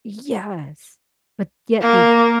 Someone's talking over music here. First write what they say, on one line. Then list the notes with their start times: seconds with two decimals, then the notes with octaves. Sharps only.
Yes, but yet they
1.82 A#3